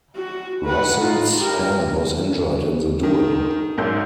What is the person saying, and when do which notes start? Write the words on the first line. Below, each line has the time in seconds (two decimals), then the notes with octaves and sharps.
Russell's hand was injured in the duel.
0.16 F#4
0.64 B4 F#5
0.99 D#4 F4
1.40 G4 A#4
3.03 D#3
3.78 A#1 G#2 F#3 A#3 E6 G6